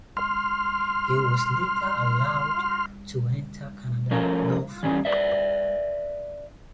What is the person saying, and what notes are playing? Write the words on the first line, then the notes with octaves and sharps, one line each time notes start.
He was later allowed to enter Canada lawfully.
C6 F6
F3 A3 C#4 A#4
E3 G3 C#4
B4 D5 E5